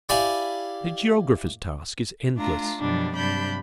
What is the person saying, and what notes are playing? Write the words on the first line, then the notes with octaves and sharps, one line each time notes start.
The Geographer's task is endless.
E4 G4 D5 F5 G#5 B5
A3 D4 F4 A#5
F#2 B2 F3 G3 D4
G2 C3 F#3 D4 B5 G6